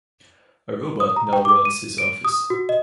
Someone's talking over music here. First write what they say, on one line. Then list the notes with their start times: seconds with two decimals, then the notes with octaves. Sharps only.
A robot now runs his office.
1.00 D#6
1.16 A#5
1.33 G5
1.45 D6
1.65 D#7
1.98 D7
2.25 D#6
2.50 F#4
2.69 D#5